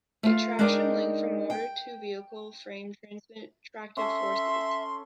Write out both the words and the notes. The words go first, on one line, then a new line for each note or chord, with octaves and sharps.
A traction link from motor to the vehicle frame transmits tractive forces.
A3 F4
G#3 D4 D#4 A#4 D5 G5
G5
C#4 A4 E5 C6